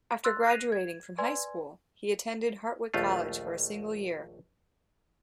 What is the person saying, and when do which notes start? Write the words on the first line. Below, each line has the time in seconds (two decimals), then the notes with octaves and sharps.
After graduating from high school, he attended Hartwick College for a single year.
0.24 C6 E6 F#6 A6
0.47 F#6 A#6 C7 D#7 F7
0.72 G#6
1.18 B4 D5 G#5 C6 G#6
2.94 A#1 D#2 A3 F4